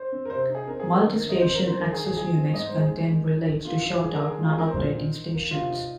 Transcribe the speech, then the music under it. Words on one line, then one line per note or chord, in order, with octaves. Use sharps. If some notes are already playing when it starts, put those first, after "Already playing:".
Multistation Access Units contain relays to short out non-operating stations.
Already playing: C5
C4
A#4
C3 C5
D#4
G#4
C4 A#4
G#4
D#4
A#4
D#3 A#4
A#4
D#3
D#5
C4 C5
A#4
D#4
C5
D#3 A#4
G#4
D#3
G#4
F3 G#4
C4
G#2 D#5
C5
D#4
G#4
G#3
D#4
D#3
D#3
A#3 F4
D#4
D#3 G#4
A#4
D#3
G#4
G#3 F4
G#4
C4 A#4
C5
A#2
D#4
D#3
A#3
C3 F4
D#4